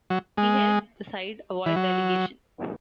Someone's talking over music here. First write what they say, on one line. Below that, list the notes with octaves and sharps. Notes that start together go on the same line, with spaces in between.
He helped the side avoid relegation.
F#3
G#3
E3
F#3